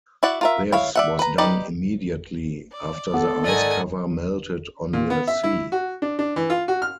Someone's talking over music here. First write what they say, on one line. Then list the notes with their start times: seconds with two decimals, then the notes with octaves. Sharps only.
This was done immediately after the ice cover melted on the sea.
0.23 E4 F#4 D5 F#5
0.41 F4 A#4 E5
0.72 E4 C#5 F5
0.96 D5 E5 F#5
1.19 B4 A#5
1.38 D#4 G4 B4 D5
2.71 D5
3.14 B3 A4
3.44 G#2 D#3 D5 D#5 F#5 G#5
4.93 A#2
5.10 B3
5.28 E5
5.43 E4
5.72 F#4
6.02 D4
6.19 D4
6.36 E3
6.50 F4
6.68 F#4
6.82 F6